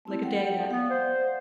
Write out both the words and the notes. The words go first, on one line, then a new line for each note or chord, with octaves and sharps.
like a day that,
A3 C4 E4
A4 F#5 G5
B3 D5 F5 F#5
C5